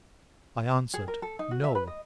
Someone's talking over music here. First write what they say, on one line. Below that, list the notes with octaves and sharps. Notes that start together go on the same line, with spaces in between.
I answered, No.
G#4
A#4
A4
D#4
F#4
E5
B4
D#5